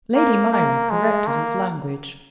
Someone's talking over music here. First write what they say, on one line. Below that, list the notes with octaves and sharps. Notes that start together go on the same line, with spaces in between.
Lady Myrie corrected his language.
A#3
A#3
G#3
A#3